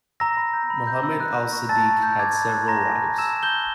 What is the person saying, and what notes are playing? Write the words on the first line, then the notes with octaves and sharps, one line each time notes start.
Muhammad as-Sadiq had several wives.
A#5 E6 A#6
B5
G6
B5
G6
E6
F#6
F#6
C#6
A5 E6 A6
C#6
G6
D6 G#6
B5
F#6
A#5 C6 A#6
G#5
E6
C#6 E6 E7
A#5
G6 G7
F#6